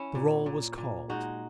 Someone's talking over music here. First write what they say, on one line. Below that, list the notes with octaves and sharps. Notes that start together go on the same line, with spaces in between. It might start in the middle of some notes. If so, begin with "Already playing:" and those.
The roll was called.
Already playing: C#4 E4
A#2
A#2
A#2
G#3 D#4 F#4